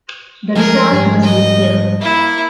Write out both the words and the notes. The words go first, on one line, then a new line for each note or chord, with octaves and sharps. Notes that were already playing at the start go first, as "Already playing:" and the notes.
The result was this film.
F3 G#3 A3 G#4 A#4
G#2 F3 G3
D#5
A#3 E4